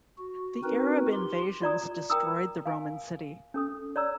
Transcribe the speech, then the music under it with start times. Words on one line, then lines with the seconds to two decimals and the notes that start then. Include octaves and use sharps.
The Arab invasions destroyed the Roman city.
0.18 F#4
0.64 C4 D#4 F#4 A#4 B4
1.12 F4 G4 C6
1.62 F4 D5 A#5 D#6
2.10 A#4 G5 A#5 D#6 E6
2.66 F5 G#5
3.54 C#4 A4 D#6
3.96 C#5 D5 A#5 E6